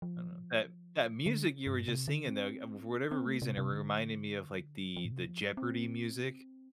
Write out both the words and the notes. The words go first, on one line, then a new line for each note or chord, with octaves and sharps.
I know. That that music you were just singing, though, you um, for whatever reason, it re reminded me of, like, the the Jeopardy music.
F3
D3
G2
C3
D3
C4
C4
A3
C3
C3
D3
F3
A2
C3
F3
G3
C4